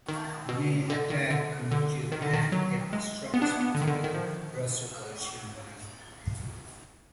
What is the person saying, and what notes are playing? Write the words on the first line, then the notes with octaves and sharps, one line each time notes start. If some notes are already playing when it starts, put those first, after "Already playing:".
Ney attacked premature and at the strongest point in the Russo-Prussian line.
D#3
B2
D3
D#3
D3
D3
D#3
D3
D#3
F#3
G#3
B3
D4
B3
B3
D3
D#3
D3
D#3
F3